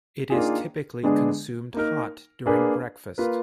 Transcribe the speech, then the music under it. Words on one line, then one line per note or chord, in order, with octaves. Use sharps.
It is typically consumed hot during breakfast.
D#3 A#3 D4 F4 G#4
D3 G#3 B3 D4 G#4
A#3 D#4 A#4
A#3 D4 G#4 B4
A#3 F4 B4